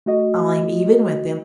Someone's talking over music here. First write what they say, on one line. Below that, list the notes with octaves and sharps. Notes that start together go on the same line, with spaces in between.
I'm even with him.
A3 F#4 D#5